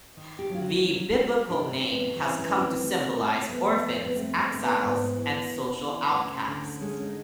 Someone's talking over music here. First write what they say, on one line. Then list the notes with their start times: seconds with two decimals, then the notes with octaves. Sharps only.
The Biblical name has come to symbolize orphans, exiles, and social outcasts.
0.17 D#3
0.39 G4
0.50 F#3 F4
0.62 F#4
0.83 G3
1.16 A#3
1.50 C3 D4
1.72 C4
1.83 E2
1.94 B3
2.17 E3 C4
2.39 C#4
2.49 D2
2.61 C4
2.83 A3
3.15 A3
3.49 F2 B3
3.83 F2
4.04 B3
4.16 A3 C4
4.37 C4
4.49 D3 C4
4.61 B3
4.82 G#2 B3
5.16 E3
5.49 D#2
5.82 E3
6.11 C4
6.15 D2 C#4
6.48 D3
6.81 G#3 C#4
7.03 D#4